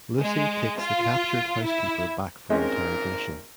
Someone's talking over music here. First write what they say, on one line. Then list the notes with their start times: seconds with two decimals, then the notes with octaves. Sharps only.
Lucy takes the captured housekeeper back for interrogation.
0.18 G#3
0.79 F4
1.63 E4
2.50 G#1 A#2 G#3 C4 C#4 A#4